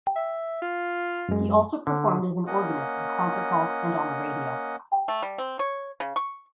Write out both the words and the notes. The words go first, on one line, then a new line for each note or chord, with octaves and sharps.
He also performed as an organist in concert halls and on the radio.
E5
F4
F#2 G#3
D3
A#3 C#4 D#5 F#5
A3
G3
C4
C#5
C#3
C#6